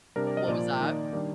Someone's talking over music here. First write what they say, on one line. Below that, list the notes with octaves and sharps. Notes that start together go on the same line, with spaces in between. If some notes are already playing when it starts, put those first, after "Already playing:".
What was that?
C3 G3 D4 A#4
D5
D#5
A#2 F3 A#3 D5
D#3 A#3 D#4
D#3 G3 D4